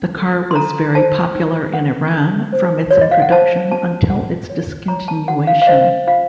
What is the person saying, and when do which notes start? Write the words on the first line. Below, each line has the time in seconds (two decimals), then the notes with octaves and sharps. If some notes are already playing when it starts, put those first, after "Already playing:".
The car was very popular in Iran from its introduction until its discontinuation.
Already playing: C#4
0.17 A4
0.51 C6
0.56 A4 A#5
0.95 C5 A5
1.34 D#4
1.74 A4 F#5
2.13 A4
2.52 C5
2.91 F#4 C#5
3.01 D#5
3.11 F5
3.22 F#5
3.31 C5 A5
3.71 F#4 A5
4.10 F#4 F#5
4.50 C#5
4.88 C#5 A#5
5.08 A5
5.28 F#4 F#5
5.47 F5
5.62 F5
5.67 C5 D#5
6.07 F4 F5